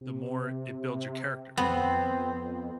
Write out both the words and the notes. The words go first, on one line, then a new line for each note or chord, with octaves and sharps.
the more it builds your character,
C3
F2 B3 C4